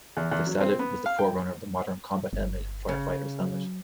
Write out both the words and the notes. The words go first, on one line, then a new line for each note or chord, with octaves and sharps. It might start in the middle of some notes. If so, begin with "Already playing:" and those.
The sallet was the forerunner of the modern combat helmet and firefighter's helmet.
E2
E2
F#3
C4
B3
F5
G5
G1
C#3
F#3